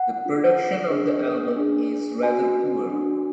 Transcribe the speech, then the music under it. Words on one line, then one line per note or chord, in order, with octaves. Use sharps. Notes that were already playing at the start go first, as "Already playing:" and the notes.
The production of the album is rather poor.
Already playing: F#5
D4 F4 G#4
D4 G#4
D4 G#4
D4 F#4 G#5
D4 F#4